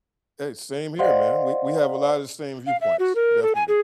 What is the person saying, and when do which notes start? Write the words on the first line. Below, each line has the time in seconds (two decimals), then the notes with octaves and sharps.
Hey, same here, man we we have a lotta the same viewpoints, definitely.
0.99 C5 D5 D#5 F5 F#5 C6
2.66 F5
2.81 E5
2.99 F#4
3.15 A#4
3.42 A4
3.55 G#5
3.68 G#4